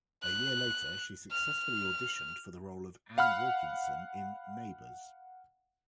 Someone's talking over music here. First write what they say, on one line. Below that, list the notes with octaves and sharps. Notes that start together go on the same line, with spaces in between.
A year later she successfully auditioned for the role of Anne Wilkinson in "Neighbours".
F#6
F6
F5 F#5 B5 F6